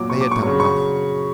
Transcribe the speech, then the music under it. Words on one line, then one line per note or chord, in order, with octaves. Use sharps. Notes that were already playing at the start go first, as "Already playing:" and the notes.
They had done enough.
Already playing: A#2 F#3 D6
C#6
D6
C#6
C#3 F#3 C#6
C#6